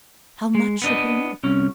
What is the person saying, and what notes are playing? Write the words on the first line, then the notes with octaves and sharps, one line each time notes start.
"How much should we make?"
G#3
B3 D4 D#5
C2 C#4